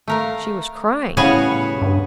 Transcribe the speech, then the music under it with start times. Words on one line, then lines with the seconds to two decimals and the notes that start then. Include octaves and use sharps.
"She was crying!"
0.08 A3 A#4 F5
1.17 A2 C#3 G3 B3 F#4 G#4 C#5
1.82 G2